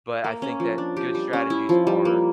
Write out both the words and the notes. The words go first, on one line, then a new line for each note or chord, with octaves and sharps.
but I think that good strategies are,
A#3
C#4
F3
D4
G4
G3
C#4
E4
F3
G3
A#3